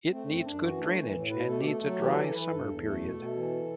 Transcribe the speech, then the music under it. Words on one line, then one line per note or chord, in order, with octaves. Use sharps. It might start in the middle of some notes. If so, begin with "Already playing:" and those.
It needs good drainage, and needs a dry summer period.
A3 C4
F#2 C4
F#2 D4
E3 F#4
A3 D4
E3
A2
B2 B4
A3 A4
G4
A3 A4
F#3 A4
E3 G4
E3 A4
E3 B4
G2 A4
E2
A3
B2
B2
E3